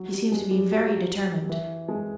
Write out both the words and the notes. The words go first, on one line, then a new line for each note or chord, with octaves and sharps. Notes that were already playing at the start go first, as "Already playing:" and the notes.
He seems to be very determined.
Already playing: F#3
G3
G#3
G3
F#3
E3
G#3